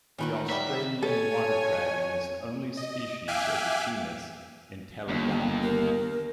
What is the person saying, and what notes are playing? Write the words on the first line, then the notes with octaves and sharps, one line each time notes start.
The Australian water dragon is the only species of the genus "Intellagama".
D#3 C#4 D#4 F#4 B4
F#3 G3 E5
A4 C#5 G#5
D#5
E5 F5 G5 G#5 D6 F#6
G1 D#2
A#4